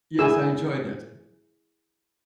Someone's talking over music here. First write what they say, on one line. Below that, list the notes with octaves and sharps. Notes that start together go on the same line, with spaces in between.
Yes, I enjoyed this.
E4 G#4 G#5 E6